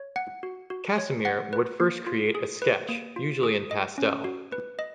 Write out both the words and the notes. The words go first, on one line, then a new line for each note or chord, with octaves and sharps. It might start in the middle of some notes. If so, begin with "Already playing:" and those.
Kasimir would first create a sketch-usually in pastel.
Already playing: C#5
F#5
F#4
F#4
C#5
F#5
B4
A#3
F4
G#4
B4
A#3
F4
G#4
D#5
C#4
F#4
B4
D#5